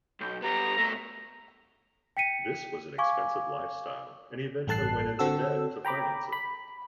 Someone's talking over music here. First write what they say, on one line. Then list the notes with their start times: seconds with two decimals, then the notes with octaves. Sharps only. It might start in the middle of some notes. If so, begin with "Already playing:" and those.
This was an expensive lifestyle and he eventually went into debt to finance it.
0.21 B1 G6
0.42 G3 B3 A#5
0.78 B2 A3
2.17 G5 B6 C#7 D#7
2.98 F5 G#5 C#6 D6 G#6
4.67 A1 G2 A4 A5 F#6 C7
5.19 D3 C4 F#4 A4 E6
5.85 G5 A#5 B5 D6
6.32 B5